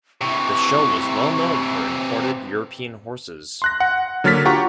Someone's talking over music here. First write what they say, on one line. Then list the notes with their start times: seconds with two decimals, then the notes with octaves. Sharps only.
The show was well known for imported European horses.
0.21 C3 E3 C#6
3.62 C6 F#6 A#6
3.80 F#5
4.24 D3 F#3 A#3 F6 A6 B6
4.45 F4 G4 F#5 A#5 C#6